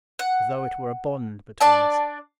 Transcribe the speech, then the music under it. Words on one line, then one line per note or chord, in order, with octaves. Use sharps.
As though it were a bond between us.
F#5
D4 D5 A5